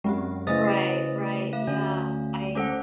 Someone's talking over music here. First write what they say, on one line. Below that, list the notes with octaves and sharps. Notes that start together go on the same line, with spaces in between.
Right, right, yeah, I
F#2 G#3 C4 G4
C#3 E3 A3 C5 D#5 D#6 A6
A3 F5
D2 C#4
G#3 C#4 A4 C5 F#5 D6